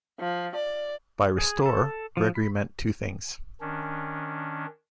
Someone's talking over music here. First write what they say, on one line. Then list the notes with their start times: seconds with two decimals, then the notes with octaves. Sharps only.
By "restore", Gregory meant two things.
0.19 F3
0.56 D5
1.38 G#4
1.66 A4
2.17 F3
2.35 B5
3.61 D#3 C#4 D4